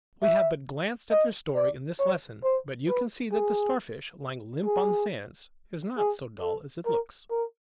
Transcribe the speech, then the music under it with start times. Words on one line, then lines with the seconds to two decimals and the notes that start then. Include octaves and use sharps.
We have but glanced at their story in this lesson; but you can see that the Starfish, lying limp on the sands, is not so dull as it looks.
0.22 E5
1.11 D#5
1.55 D5
1.99 C#5
2.44 C5
2.88 B4
3.32 G#4
4.65 G#4
5.98 G#4
6.41 A4
6.86 A#4
7.30 A#4